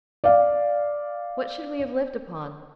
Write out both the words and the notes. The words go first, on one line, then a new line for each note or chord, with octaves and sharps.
What should we have lived upon?
D5 F5